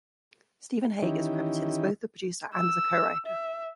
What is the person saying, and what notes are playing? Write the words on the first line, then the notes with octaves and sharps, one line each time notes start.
Stephen Hague is credited as both the producer and as a co-writer.
D#3 E3 C#4 D#4 E4 G4
E6
E5